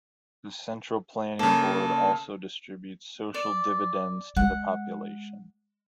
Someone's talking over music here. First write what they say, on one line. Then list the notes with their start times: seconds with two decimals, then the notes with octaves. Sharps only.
The central planning board also distributes social dividends to the population.
1.39 C#3 A#3 A4
3.34 D5
4.36 G#3 F#5